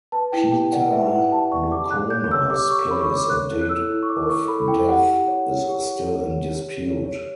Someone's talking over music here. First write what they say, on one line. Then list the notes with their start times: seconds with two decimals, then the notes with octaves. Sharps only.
Peta Nocona's place and date of death is still in dispute.
0.12 B4 A5
0.32 E4 G5
0.52 G4 G5
0.72 D5 F#5
0.92 B4 E5
1.12 E4 F#5
1.31 G4 A5
1.51 D5 C#6
1.71 G4 D6
1.91 G4 F#6
2.10 C#5 G6
2.31 C#5 E6
2.50 G4 D6
2.70 G4 C#6
2.91 C#5 B5
3.01 C#6
3.10 C#5 D6
3.30 C#5 F#6
3.50 E4
3.61 F#6
3.69 A4 E6
3.90 E4
4.03 C#6
4.09 C#5 D6
4.29 E4 C#6
4.48 A4 B5
4.68 E4 G5
4.88 G4 F#5
5.08 G4
5.28 C#5
5.48 C#5
5.68 G4
5.87 G4
6.08 C#5
6.27 C#5
6.47 G4
6.67 G4
6.87 C#5
7.06 C#5